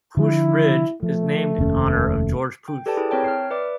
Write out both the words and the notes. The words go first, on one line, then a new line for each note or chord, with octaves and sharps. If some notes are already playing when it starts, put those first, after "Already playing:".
Pusch Ridge is named in honor of George Pusch.
D3 F3 E4
F3 A3
F1 D#2 C#4
G5
G4 A4 B4 D5 G5 A5
E4 G#4
C4 A#4 C#5 G5 A5
F6 C7
B4 D5 E5 D6